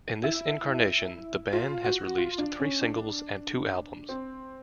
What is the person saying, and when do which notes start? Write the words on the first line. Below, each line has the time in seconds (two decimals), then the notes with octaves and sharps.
In this incarnation, the band has released three singles and two albums.
0.23 E4
1.53 F4
1.84 F#4
2.17 F4
2.38 D4
2.60 C#4
2.81 D4
4.09 C4